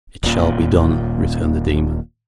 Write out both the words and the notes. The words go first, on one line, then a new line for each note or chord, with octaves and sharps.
"It shall be done," returned the demon.
D#1 A#2